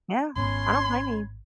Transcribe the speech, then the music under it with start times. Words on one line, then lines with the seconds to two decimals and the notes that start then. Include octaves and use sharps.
Yeah. I don't blame you.
0.36 G#1 G#2 B3 C#4 B5 C6 G#6